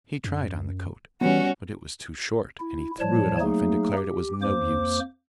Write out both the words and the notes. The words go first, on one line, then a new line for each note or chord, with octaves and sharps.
He tried on the coat, but it was too short, and he threw it off, and declared it was no use.
F#2
E3 G3 B3 C#4 F#4
E4
A2 F3 G3 C#5 A5
F#3 A3 A#3 D#4 G#4
G4
F2 A#3 C5 D6